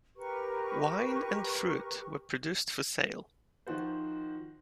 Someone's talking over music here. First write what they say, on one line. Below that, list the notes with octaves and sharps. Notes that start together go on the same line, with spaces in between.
Wine and fruit were produced for sale.
G4 A#4 B4 C#6
D#3 F3 F#4 C5